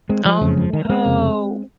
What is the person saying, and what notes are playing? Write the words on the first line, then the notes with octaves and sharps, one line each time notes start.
Oh, no.
G#3 C4
F3 G#3
F#1 F2 C#3 F3
F3
D#3
A#3
G#3 C4
F1 F2 C#3